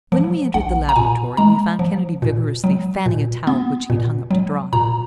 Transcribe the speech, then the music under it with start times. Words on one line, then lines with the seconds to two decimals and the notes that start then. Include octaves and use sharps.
When we entered the laboratory we found Kennedy vigorously fanning a towel which he had hung up to dry.
0.12 F3
0.54 A#1 F#5
0.89 A#5
0.96 A#2 G#5
1.37 G#3 A#5
1.79 F3
2.22 A#2
2.64 F#3
3.06 A#2
3.47 B3
3.90 A#2
4.31 F#3
4.73 A#2 A#5